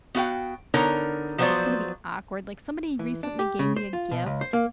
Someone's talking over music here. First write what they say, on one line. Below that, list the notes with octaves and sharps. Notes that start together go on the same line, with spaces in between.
if it's gonna be awkward- like, somebody recently gave me a gift,
B3 F#4 F5 G5
D3 B3 D#4 A#4 C#5 A#5
F3 F#3 B3 B4 C5 D5
E3
D4
G4
C#3
C5
F4
B2
C#2
C5
A#3